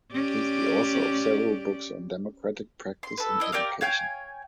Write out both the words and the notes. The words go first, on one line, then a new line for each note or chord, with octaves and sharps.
He is the author of several books on democratic practice and education.
C#4 G4 D5
C6
A4 B4
E4 D#5
G4 A#4 D5 F5
C#5 F5 G5 G#5